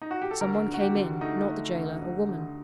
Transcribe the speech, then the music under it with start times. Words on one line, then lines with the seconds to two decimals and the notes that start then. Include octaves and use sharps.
Some one came in; not the gaoler--a woman.
0.02 D#4
0.11 F#4
0.22 G4
0.31 A4
0.41 D2 A#4
0.68 D3
0.74 F#4
0.81 G4
0.95 D3
1.21 A3 D#4
1.48 A3
1.75 D2
2.02 D2
2.28 D2